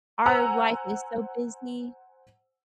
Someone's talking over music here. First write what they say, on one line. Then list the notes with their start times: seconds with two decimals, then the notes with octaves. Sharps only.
our life is so busy,
0.26 C5 F#5 G#5 A#5 E6